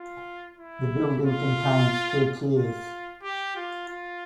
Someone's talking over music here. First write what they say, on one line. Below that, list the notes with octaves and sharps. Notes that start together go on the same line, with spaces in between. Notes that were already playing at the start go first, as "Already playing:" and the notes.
The building contains two tiers.
Already playing: F4
E4
F4
F4
G4
F4
F4